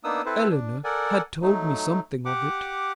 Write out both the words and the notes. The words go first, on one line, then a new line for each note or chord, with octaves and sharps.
"Eleanor had told me something of it."
A#3 B3 D4 D#4 D#6 E6
C4 E4 A4 B4 C5
D4
A4 A#4 D5 F#5 G#5
F#3 A3 D#4
G4 F#5 D6